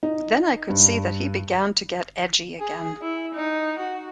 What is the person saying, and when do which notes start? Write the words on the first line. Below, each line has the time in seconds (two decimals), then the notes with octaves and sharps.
Then I could see that he began to get edgy again.
0.03 D#4
0.70 G2
2.60 G#4
3.01 E4
3.34 D#4
3.79 F#4